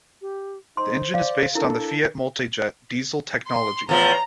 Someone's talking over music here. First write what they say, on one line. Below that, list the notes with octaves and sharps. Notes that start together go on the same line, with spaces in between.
The engine is based on the Fiat Multijet diesel technology.
G4
D#4 C5 C6
D5 F5
D4 E4 A4 A#4
C6
E2 A2 F3 A#5